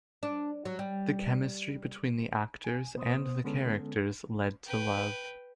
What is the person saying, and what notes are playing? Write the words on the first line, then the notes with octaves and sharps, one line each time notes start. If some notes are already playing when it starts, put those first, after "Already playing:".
The chemistry between the actors, and the characters, led to love.
D4
F#3
G3
G#5
B2 B3 C5 D#6
D3 G#3 B3 C#4 A4
B4 G5